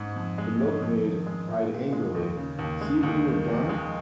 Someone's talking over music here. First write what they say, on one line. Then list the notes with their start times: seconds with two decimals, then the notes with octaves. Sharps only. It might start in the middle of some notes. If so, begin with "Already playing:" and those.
The milk-maid cried angrily; "see what you have done!"
Already playing: G#2
0.16 F2
0.38 G#3
0.60 C#4
0.82 F2
1.04 D#3
1.26 G#3
1.48 A#2
1.70 A#2
1.93 G#3
2.15 D#2
2.37 C#3
2.59 D#2
2.81 G#3
3.03 D#2
3.25 D#3
3.47 F1
3.69 G#3